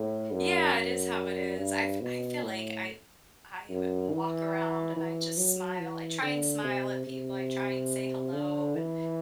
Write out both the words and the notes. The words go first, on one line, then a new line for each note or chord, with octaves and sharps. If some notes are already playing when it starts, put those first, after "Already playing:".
Yeah. It is how it is. I f I feel like I I w walk around and I just smile. I try and smile at people. I try and say hello. And
Already playing: A2
F#2
F#2
G2
B2
A2
F#2
E3
E3
F#3
E3
D3
C3
C3
D3
E3